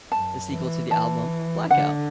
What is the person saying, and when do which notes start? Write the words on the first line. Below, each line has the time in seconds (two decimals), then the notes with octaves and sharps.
The sequel to the album, Blackout!
0.11 F#2 A5
0.51 E3
0.90 E3 A5
1.70 D3 F#5